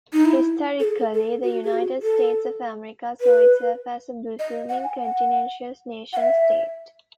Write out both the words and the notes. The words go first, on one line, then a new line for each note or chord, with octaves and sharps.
Historically, the United States of America saw itself as a blossoming continental nation-state.
D#4
E4
A4
G#4
A4
A4
F#4
G#4
F#4
A4
B4
D#5
F#5
G#5
F#5
F#5
E5